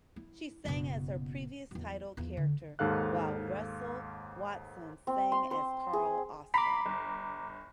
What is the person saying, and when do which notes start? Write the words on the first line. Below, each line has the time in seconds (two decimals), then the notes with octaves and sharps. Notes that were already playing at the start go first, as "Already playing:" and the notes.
She sang as her previous title character while Russell Watson sang as Karl Oskar.
0.16 E4
0.65 F#1 B2
1.71 E2 F#3
2.17 E2 F3
2.37 D3
2.79 D#2 G#2 A4 F5 F#6
5.07 C4
5.32 C6
5.51 C5
5.93 G#4
6.54 A#5 B5 D6 B6 C7
6.86 G1